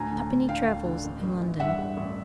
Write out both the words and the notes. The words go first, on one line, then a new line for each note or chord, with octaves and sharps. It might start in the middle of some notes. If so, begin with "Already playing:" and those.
Tuppenny travels in London.
Already playing: D2 A2 G#5 A#5
D3
D2
D3 F5 G5
D2
D3
A1
A1
E3
G2 E5 F#5
G2
A1